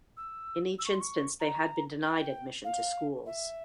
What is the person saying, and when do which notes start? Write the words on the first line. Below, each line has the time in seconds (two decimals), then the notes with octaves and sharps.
In each instance, they had been denied admission to schools.
0.17 E6
0.79 E6
0.86 C#6
0.93 C6
1.00 C#6
1.40 A#5
2.02 G5
2.64 F5
3.26 E5